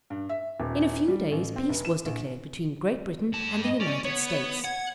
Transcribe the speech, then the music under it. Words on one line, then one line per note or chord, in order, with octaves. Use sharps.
In a few days peace was declared between Great Britain and the United States.
G2
E5
D#1
G3
A1
C4
F1
E7
A#1
G2 A5
D#5
C#4 D5
B3 C#5
F#5 G#6